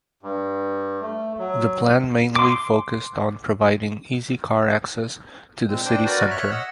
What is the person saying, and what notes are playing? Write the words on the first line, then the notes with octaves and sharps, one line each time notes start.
The plan mainly focused on providing easy car access to the city centre.
G2
A3
F#3
C6 D6
A#2 G#3 C4
D4 C5 G5
F#4 A#4 B4 D5
C#5 E5 F6 F#6
D#5 F#5 E6